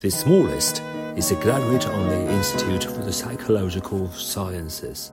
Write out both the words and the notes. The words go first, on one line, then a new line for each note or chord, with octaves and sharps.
The smallest is the graduate-only Institute for the Psychological Sciences.
D#3 B4
A#3 D#4
D#3
A#3 D#4
D#3 C#5
A#3 D#4
D#3
A#3 D#4
C#2 B4
B2 G#3 B3